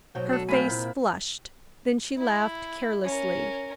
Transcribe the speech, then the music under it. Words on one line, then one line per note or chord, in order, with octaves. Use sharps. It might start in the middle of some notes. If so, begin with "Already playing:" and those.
Her face flushed, then she laughed carelessly.
B1 B2 F#3 C5 G5
D4 F#4 A4
C3 A3 A#3 G#5 B5
A#2 E4
E4
C#4 A#4